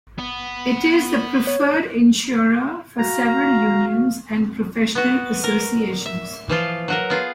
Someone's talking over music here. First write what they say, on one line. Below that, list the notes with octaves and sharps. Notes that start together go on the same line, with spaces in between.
It is the preferred insurer for several unions and professional associations.
B3
C#5
F#4 F5 A#5
B3 F#4
A#4
E5
E3 F3 F4
F#3 F#4 A#4
B3 F4 G#4